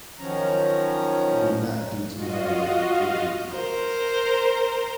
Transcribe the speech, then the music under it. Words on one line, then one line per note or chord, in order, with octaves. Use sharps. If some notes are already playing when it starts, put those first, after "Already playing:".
Do not do tomorrow what you could do today.
D#3 F3 F#3 C#4 A#5
F4 F#4 D#5 F5
A#4 C5